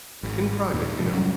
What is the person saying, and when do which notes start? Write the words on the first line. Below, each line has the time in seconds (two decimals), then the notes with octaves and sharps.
"In private, you know."
0.23 G#1
0.73 D#2 A#2
0.99 A#1 G#2 C3 F3
1.13 F1 F#3 G3 C#4